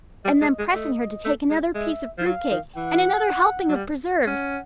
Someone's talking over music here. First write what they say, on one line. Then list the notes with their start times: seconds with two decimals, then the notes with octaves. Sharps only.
And then pressing her to take another piece of fruit cake and another helping of preserves.
0.25 G3 D#5
0.41 G#3
0.59 G#3
0.74 A3
1.25 A3
1.50 G#3
1.75 G#3 E5
2.18 F3
2.25 F#3 F5
2.51 D#3
2.76 E3 F#5
3.69 F#3
3.76 G3
4.27 C#4 F#5